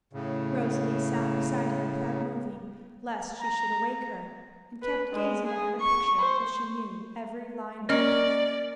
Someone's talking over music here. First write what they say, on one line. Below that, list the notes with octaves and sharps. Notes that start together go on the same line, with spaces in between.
Rosalie sat beside her without moving, lest she should awake her, and kept gazing at her picture till she knew every line of it.
A2 C#3
A#5
B4
G#3
G#4
C#6
C5
A#3 C#4 A#4 D5 D#5 F6